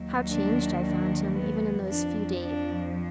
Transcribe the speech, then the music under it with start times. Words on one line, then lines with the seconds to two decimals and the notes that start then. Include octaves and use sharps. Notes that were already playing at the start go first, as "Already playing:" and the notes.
How changed I found him, even in those few days!
Already playing: D#2 D#3 F#3
0.29 D4
0.81 D4
1.34 B3
1.87 F2 F3 D4
2.41 D4